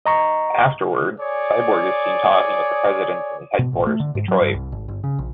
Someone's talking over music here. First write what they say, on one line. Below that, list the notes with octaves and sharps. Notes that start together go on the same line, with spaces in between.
Afterwards, Cyborg is seen talking with the President in his headquarters in Detroit.
D#5 A#5 C#6
G#4 C#5 D5
B2
A1
A3
D3
G#2
F#3
G2
C2
G#1
G1
C#3
A#1